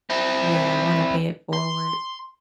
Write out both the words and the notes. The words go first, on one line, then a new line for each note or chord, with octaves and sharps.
Yeah, wanna pay it forward.
C4 E4
C6